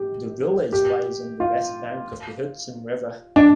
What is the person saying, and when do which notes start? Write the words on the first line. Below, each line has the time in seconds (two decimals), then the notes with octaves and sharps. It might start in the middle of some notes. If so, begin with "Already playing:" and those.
The village lies on the west bank of the Hudson River.
Already playing: G4
0.73 G4
1.40 F4
3.36 D4